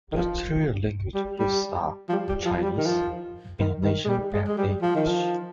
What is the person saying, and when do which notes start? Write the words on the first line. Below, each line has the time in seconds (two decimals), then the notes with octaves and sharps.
The three languages used are Chinese, Indonesian and English.
0.12 D#3
0.16 F3
1.15 G3
1.39 G3
2.09 F3
2.12 G3
2.29 G3
2.45 F3
2.57 F3
2.62 G3
2.77 D#3
2.86 F3
3.60 D#3
3.84 D#3
4.05 G#3
4.09 G3
4.33 G#3
4.48 G#3
4.58 G3
4.82 F3
4.95 D#3
5.08 F3